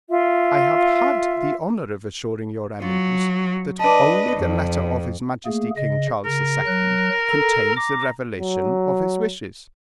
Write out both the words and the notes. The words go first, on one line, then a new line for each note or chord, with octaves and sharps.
"I have had the honor of assuring your eminence that only the letter of his majesty King Charles II. contains the revelation of his wishes."
F4 E5
F#3 F4
D4 B4 D#5 A5
F2
A3 A#3 G#4
C#3 D#5
C#3 A#4
F#3 F#6
A4 A#5
A#5 D6
F#3